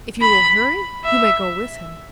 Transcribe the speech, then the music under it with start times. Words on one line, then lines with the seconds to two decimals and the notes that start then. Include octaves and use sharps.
If you will hurry, you may go with him!
0.22 B5
1.04 E5